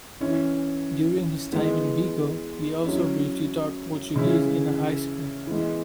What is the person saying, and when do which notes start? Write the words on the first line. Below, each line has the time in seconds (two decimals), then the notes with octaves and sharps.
During his time in Vigo, he also briefly taught Portuguese in a high school.
0.21 E3 C#4 E4
1.52 E3 G#3 B3
2.84 F#3 C#4 E4
4.16 C#3 E3 C#4 E4
5.47 E3 G#3 B3